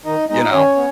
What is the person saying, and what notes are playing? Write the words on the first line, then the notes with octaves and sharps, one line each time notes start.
you know?"
D#3 D#4 D#5
G#3 B3 D#4 D#5
D#3 C#4 C#5
B3